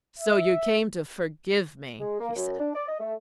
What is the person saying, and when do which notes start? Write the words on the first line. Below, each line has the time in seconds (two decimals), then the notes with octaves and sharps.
"So you came to forgive me?" he said.
0.19 E5
2.00 G#3
2.20 A#3
2.36 F#2
2.59 D4
2.74 D5
2.89 D#5
3.00 A3